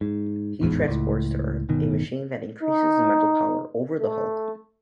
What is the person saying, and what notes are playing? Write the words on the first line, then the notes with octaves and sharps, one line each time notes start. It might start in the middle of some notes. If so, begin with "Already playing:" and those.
He transports to Earth a machine that increases his mental power over the Hulk.
G#2
A1 E2 G#2
C#2 A2
G1 B2 D#3
D#4
A3